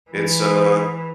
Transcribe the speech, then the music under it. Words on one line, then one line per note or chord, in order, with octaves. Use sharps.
it's a
E3